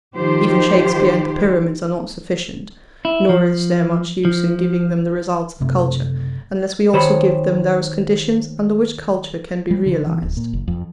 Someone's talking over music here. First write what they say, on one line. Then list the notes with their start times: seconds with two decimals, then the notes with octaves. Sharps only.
Even Shakespeare and the Pyramids are not sufficient; nor is there much use in giving them the results of culture, unless we also give them those conditions under which culture can be realised.
0.15 D#3 F3 G4 C5
3.05 E4
3.29 F3
4.25 F3
5.60 F#1 C3 A3
6.93 D#3 C5 C#5 B5
9.71 G3
9.86 D3
10.07 E3
10.23 D1
10.37 A#2
10.53 F#1
10.68 F2